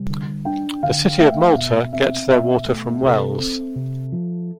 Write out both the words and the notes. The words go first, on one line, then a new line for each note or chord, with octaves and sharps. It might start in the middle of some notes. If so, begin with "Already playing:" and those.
The city of Malta gets their water from wells.
Already playing: C3 G3
D3
D4 G5
D3 F5
A3 E5
B2 E5
C4 E5
B2 E5
A3
C3 A4
C4
C3
F3